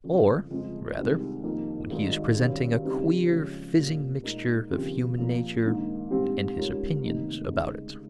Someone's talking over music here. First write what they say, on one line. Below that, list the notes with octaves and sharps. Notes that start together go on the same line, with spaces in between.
Or, rather, when he is presenting a queer fizzing mixture of human nature and his opinions about it.
G1 F2 C#3
G1 F2 C#3 G#3 C4
C2 C3 D#3 G#3 C4
F2 D#3 A#3
G#1 G2 D#3 G#3 D#4
G#1 G2 G3 C#4 G4
C#3 G3 C4 D#4
C#3 F3 G#3 C#4 G4
A#2 G3 C#4 F4
A#2 G#3 D#4 A#4
D#2 C#3 F3 C4 G4
A#2 F3 A#3
A#1 G#2 D#3 A#3
A#1 G#2 G3 C4 G4
G#2 G3 C#4 F4 A#4
F1 D#2 D#3 A#3 D#4
C#3 G#3 D#4